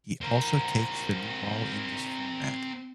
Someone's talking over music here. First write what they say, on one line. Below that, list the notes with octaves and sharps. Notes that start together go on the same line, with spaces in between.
He also takes the new ball in this format.
C4 A#4